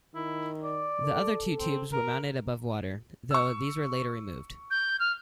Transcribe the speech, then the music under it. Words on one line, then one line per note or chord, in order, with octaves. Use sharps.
The other two tubes were mounted above water, though these were later removed.
D#3 E4
D5
A4
C4
A#4
C#6 E6
G6
F6